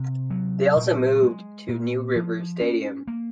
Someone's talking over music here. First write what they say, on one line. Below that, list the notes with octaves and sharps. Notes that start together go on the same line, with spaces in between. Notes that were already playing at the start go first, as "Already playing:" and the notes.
They also moved to New River Stadium.
Already playing: C3 C4
F#3
A#2
G#3
A#2
F3
C#4
A#3